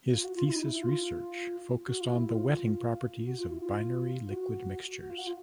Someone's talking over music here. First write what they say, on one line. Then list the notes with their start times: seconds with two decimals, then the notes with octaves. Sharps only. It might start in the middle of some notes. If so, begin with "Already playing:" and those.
His thesis research focused on the wetting properties of binary liquid mixtures.
0.13 F4
0.24 F#4
0.36 F4
0.48 E4
0.56 D#4
0.63 E4
0.74 E4
0.83 F4
1.87 F#4
2.01 F4
2.15 E4
2.29 F4
3.26 F#4
3.38 F4
3.50 E4
3.62 F4
4.26 F4
4.31 F#4
5.01 F#4
5.10 F4
5.18 F#4
5.27 F4